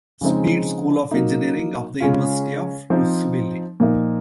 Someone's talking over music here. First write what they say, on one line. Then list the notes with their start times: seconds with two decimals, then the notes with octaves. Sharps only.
Speed School of Engineering of the University of Louisville.
0.21 C#3 F3 G#3 C4 D#4
1.11 F#3 A#3 D#4
2.00 C#3 G#3 C#4 F4
2.90 F3 C4 D#4
3.80 A#2 F3 A#3 D#4